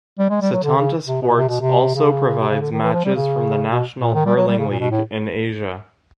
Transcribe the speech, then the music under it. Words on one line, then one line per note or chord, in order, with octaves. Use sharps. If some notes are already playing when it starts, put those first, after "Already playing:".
Setanta Sports also provides matches from the National Hurling League in Asia.
G3
G#3
G3
F#3
D3
C#3
C3
B2
C3
B2
C3
C#3
C3
C#3
D3
D#3
E3
F3
G3
C#3
B2
A#2
D#3
G3
F#3
G3
C#3
A#2
B2
A2